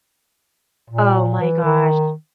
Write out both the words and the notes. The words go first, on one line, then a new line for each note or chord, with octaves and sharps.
Oh my gosh.
A#2
E3
D#3